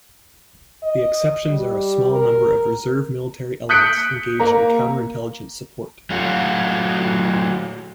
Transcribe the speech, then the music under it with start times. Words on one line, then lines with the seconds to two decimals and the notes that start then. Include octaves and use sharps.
The exceptions are a small number of reserve military elements engaged in counter-intelligence support.
0.83 D#5
1.50 G3
2.11 A#4
3.69 D#6 F#6 G6 B6 C#7 D7
4.40 A#3 A#5
6.10 F#3 A3 F4 F#4